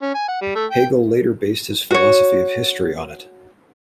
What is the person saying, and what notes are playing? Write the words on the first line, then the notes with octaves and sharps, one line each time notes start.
Hegel later based his philosophy of history on it.
C#4
G#5
F#5
G3
A3
G5
F#4 C#5